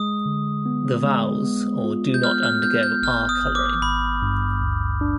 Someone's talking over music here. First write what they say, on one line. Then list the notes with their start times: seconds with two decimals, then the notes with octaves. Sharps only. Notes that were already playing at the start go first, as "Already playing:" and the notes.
The vowels or do not undergo R-coloring.
Already playing: G#3 D#6
0.26 D3
0.66 B3
1.04 G#3
1.44 B3
1.84 F4
2.14 G6
2.23 B3 F6
2.43 F6
2.63 B3 G6
2.83 G6
3.02 G#1 F6
3.29 D#6
3.43 G#1
3.55 D6
3.82 G#1 B5
4.22 G2
4.61 D2
5.01 D4